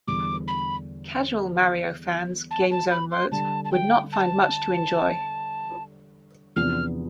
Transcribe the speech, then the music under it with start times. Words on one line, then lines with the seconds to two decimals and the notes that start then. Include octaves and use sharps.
Casual "Mario" fans, "GameZone" wrote, would not find much to enjoy.
0.07 E2 D3 G3 D6
0.48 B5
2.51 A5
2.71 A5
2.91 B5
3.11 C6
3.31 D3 G3 D4 A5
3.65 A5
3.72 G5
4.12 A5
6.56 E2 C3 F3 B3 D4 F6